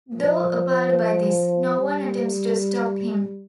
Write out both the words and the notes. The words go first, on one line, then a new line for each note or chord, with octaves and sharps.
Though appalled by this, no one attempts to stop him.
F3
G3